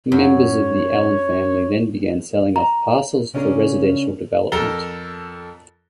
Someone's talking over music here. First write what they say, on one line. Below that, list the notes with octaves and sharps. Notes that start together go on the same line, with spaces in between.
Members of the Allen family then began selling off parcels for residential development.
F#2 C#5
A#5
C#3 C#4 D4 G#4 A#4
F2 A4 A#4 A#5 G7